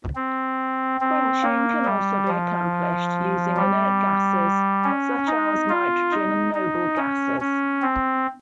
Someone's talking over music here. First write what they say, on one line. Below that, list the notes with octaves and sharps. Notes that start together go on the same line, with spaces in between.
Quenching can also be accomplished using inert gases, such as nitrogen and noble gasses.
C4
C4
A#3
G3
F3
G3
C#4
D#4
F4
D#4
D#4
C#4
C#4
C4